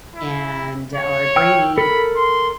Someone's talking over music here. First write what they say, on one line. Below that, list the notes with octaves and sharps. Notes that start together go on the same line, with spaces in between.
and or Brainy,
E4
C#5
G5 E6 F6
A4 A#4 B5
C6